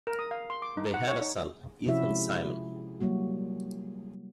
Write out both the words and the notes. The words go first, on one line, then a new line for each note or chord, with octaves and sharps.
They had a son, Ethan Simon.
A#4
D#6
F5
C6
D6
D#4
F#5
C#5
D#4
C3 F3 C#4 E4 F#4 E5
G#3
F#3 G3 A#3 F#4